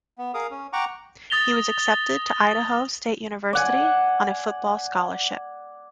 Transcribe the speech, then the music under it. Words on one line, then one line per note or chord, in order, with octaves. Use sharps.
He was accepted to Idaho State University on a football scholarship.
B3
G#4 A#4 F5 D#6
C#4
F#5 G5 A#5 C#6 D6
D#6 A6 A#6 F7 G7
D5 F#5 G#5